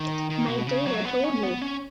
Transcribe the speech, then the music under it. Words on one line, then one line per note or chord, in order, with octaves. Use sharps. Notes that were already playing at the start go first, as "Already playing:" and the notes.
My data told me.
Already playing: D#3
D#3
B2
C#3
F#3
B3
C#4
B3
C#4